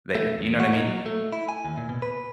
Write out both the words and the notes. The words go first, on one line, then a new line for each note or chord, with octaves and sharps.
that you're you know what I mean?
A3
E2
F#4
D#4
F#3
A3
E4
G#5
D#2
A#2
B2
B4